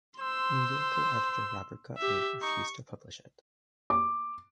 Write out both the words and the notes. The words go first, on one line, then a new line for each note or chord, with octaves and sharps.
New Yorker editor Robert Gottlieb refused to publish it.
C5 C6 E6
G4 E5
D#4 C#6
D6